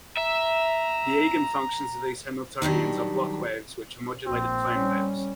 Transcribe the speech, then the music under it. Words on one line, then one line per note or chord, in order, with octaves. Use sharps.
The eigenfunctions of these Hamiltonians are Bloch waves which are modulated plane waves.
E5 A#5
D#3 F#3 G3 D4
A#1 C4
G3 C#4